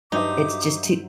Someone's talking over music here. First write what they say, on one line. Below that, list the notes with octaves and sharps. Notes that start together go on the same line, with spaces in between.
It's just too
G2 F#3 D#4 C5 D#5 E5 D6